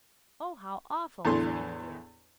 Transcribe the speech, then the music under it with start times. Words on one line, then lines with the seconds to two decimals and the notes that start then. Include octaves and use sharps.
'Oh, how awful!' said Anthea.
1.25 E2 A2 D3 C6